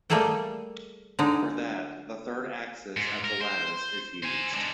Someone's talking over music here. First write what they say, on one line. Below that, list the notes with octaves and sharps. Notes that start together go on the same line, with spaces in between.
For that, the third axis of the lattice is used.
G3 A3 A#3 G#4 A4 G5
D3 G#3 D#4
G#2
A#4
C5
C5 G#5
G#3 D4